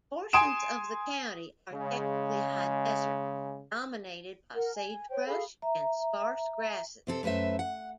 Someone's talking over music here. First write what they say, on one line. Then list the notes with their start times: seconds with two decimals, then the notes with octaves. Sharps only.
Portions of the county are technically high desert, dominated by sagebrush and sparse grasses.
0.33 G#5 C6 D#6 D7 E7
1.71 C#3 G#3
4.54 A#4 F#5
4.75 G#5
5.11 C5 C#5 G5
5.26 G#4 A4 F5 B5
5.62 E5 A#5
7.07 C3 C4 A4
7.23 F#2 A3 B4 C5 E5
7.59 F#5